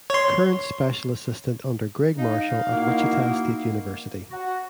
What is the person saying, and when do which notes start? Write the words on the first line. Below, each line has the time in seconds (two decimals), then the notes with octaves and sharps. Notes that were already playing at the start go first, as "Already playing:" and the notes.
Current special assistant under Gregg Marshall at Wichita State University.
0.10 C#5 C6
2.18 D#4 F5
2.72 A#3 D#4 E4 F#4
4.30 F#4